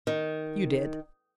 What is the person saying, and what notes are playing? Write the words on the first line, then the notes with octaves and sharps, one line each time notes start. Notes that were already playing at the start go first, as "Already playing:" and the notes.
"You did."
D#3